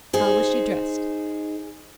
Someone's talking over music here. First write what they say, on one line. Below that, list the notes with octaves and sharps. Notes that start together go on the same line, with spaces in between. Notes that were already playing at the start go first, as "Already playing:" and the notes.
"How was she dressed?"
D#4 G#4 C5